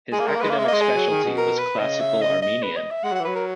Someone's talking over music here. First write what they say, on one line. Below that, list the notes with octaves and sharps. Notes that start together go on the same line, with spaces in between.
His academic specialty was Classical Armenian.
G#3 G#4
A#3
G#3 A#4
A#3
G#3 B4
A#3
G#3 E5
A#3
G#3 D#5
G#4
F#3
D#3
B2
A#4
B4
C#3 D#5
E5
D#5
D#5
B4
D#5
E5
G#3 F#5
F#3
F#5
E3
F#3 B4
A#4